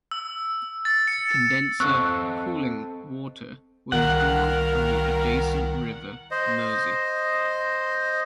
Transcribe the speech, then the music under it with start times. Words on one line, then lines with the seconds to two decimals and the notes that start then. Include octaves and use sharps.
Condenser cooling water was drawn from the adjacent River Mersey.
0.11 E6
0.85 A6
1.07 C#7
1.80 C4 A4 D#5 C#6 E6 F#6
3.92 C2 D#3 G3 A#3 A#4 F#5
6.31 C5 D#5